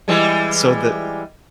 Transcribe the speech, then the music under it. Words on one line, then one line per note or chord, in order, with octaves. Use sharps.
so the
E3 G3 G#3